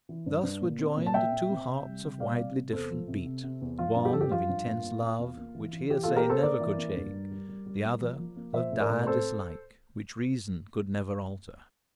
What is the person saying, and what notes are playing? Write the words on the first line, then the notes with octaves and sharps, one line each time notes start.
Thus were joined two hearts of widely different beat--one of intense love, which hearsay never could shake; the other of dire dislike, which reason could never alter.
E3
G2
G2
A#2
C4
A#2
A5
A#2 E5 G5
A#2
C4
C3
G3
C3
G3 D5 F5
C3
C3
E2 A4 C5
F3
C3
C3
C3
E2
F3 F4
G2
G4
F3 A4
G4
F3 F4
G2
A#3
A#3
A#3
E2
A#3
E3
E3
E3 G4
A#3 F4 A4
G4 A#4
A#3 A4 C5
A#3 A#4 D5
E3
A#3
G2
G3
G3
G3
G3
A#3
F3
F3
A#3
F3 C5 E5
A2
A#4 D5
A2
C4 A4 C5